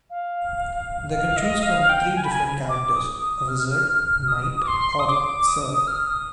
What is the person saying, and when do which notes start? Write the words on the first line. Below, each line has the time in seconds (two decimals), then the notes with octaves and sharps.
They can choose from three different characters; a Wizard, Knight or Serf.
0.10 F5
1.10 F5
1.37 D#5
1.63 F5
1.89 G5
2.16 G#5
2.24 B5
2.32 G#5
2.69 D6
2.96 D#6
3.22 D#6
3.48 F6
4.28 D#6
4.61 D6
4.68 C6
4.99 D#6
5.07 D6
5.47 D#6
5.87 F6
6.07 D#6